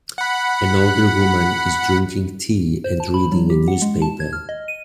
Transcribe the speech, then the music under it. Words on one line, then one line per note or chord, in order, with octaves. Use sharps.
An older woman is drinking tea and reading a newspaper.
F#5 B5
C5
A5
B5
F#3
G4
F#5
G#3
A5
G#6
F6
D#5
D#7